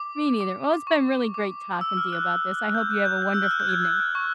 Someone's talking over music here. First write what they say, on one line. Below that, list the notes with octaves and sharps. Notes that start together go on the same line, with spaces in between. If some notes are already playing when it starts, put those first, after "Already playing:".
me neither, well, it's been really great talking to you about this, I hope you have a wonderful evening.
Already playing: D6
D6
C#6
D6
E6
F6
F#6
G6
F#6
G6
G6
E6
F6
F#6
G6
G#6
F#6
F6
C#6